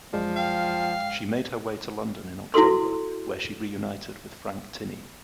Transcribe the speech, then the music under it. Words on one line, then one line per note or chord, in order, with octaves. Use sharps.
She made her way to London in October, where she reunited with Frank Tinney.
F#2 F3 G#3 D5
F5 G5
E4 F#4 A4 C6